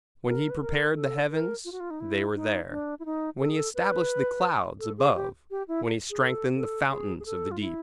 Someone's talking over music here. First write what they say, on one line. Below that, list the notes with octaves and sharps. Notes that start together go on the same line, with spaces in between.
When he prepared the heavens, they were there; when he established the clouds above, when he strengthened the fountains of the deep.
A#4
B4
A#4
A4
A#4
F4
F#4
F4
D#4
E4
D#4
D4
E4
D#4
A4
G#4
A4
B4
A4
G#4
G4
G4
E4
G#4
A4
A4
G#4
G#4
A4
F4
E4